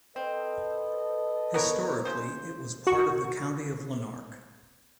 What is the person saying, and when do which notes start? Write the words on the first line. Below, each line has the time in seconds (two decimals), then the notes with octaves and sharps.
Historically it was part of the County of Lanark.
0.16 C4 A4 B4 D#5
1.54 B3 A#4 C#5
2.05 C#3 C5
2.87 F#4 C#6